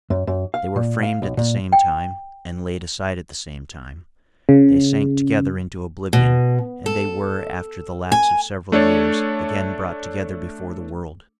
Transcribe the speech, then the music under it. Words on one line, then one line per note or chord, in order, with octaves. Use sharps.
They were framed at the same time, and laid aside at the same time: they sank together into oblivion; and they were, after the lapse of several years, again brought together before the world.
F#2
F#2
F5
A#2
F5
B1
A#2
G5
C#3
B2
A4
G#5
A3 D4 A4 C#5